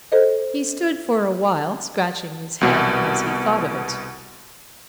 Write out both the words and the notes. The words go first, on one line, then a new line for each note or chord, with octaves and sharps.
He stood for awhile scratching his head as he thought of it.
A4 C5 D#5
C2 B2